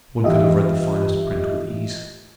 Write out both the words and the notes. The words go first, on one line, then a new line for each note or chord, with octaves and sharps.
One could have read the finest print with ease.
E3 F4 G4 D#5 E5